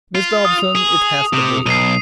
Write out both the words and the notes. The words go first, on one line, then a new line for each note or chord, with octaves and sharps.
Miss Dobson, it has to be.
F4
D#6
G#4
C3
B1 C7 D#7